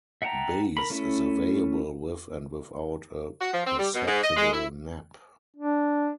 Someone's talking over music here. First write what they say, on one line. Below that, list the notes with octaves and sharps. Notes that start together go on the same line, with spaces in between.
Baize is available with and without a perceptible nap.
E5 F#5 G5 A5 A#5
A#4 B5
A3 C#4 E4 E5
F#4
F3
C4
G3
B2
G#2
D#5
G#3
E4
D4